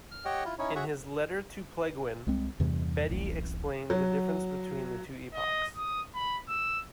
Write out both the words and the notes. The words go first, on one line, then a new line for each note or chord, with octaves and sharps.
In his "Letter to Plegwin", Bede explained the difference between the two epochs.
F6
G4 C#5 D#5 F#5 G5
E4 F4
C#4 D#4 E4 C#5
F#4 G#4 C#5 E5 F#5
C2 G#3 C4
E2 G2 C3 E3
D1 A1
F#3
D#5
D#6
B5
E6